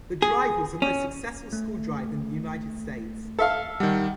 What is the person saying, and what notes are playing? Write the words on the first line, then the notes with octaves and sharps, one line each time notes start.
The drive was the most successful school drive in the United States.
G#4
C#4
A3
A4 E5 F5
D#3 G3 F#5